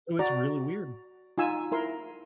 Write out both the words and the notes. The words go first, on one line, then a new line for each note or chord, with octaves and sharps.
So it's really weird.
F#4 D5 A#5
D#4 F4 G#5 E6
E4 A#4 C6